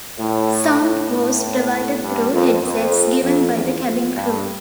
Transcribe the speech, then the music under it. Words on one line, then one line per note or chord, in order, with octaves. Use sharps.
Sound was provided through headsets given by the cabin crew.
A2
A2
G2
F2
F2
F2
E2
F2
G2